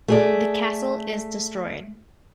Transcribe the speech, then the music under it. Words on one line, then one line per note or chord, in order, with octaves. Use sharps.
The castle is destroyed.
A3 G#4 D5